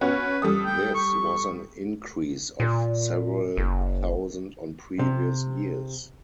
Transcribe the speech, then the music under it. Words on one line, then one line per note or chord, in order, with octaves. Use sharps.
This was an increase of several thousand on previous years.
B3 C#4 F#4 B4
G3 A4 D#6
G5
C#6
A#2
F#1
C3